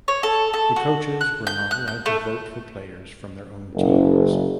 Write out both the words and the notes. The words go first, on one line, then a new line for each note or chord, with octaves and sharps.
The coaches were not allowed to vote for players from their own teams.
C#5
A4
A4
F#4
F#6
G6
F#6
G6
A3
F#1